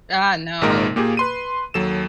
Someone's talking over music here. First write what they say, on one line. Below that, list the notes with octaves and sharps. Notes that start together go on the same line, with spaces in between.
Ah, no.
G#1 A#2 G#3 A#3 D#4 A#4
A#2 A#3 G4 G#4
B4 C6 D#7
D#2 F#3 A4 E7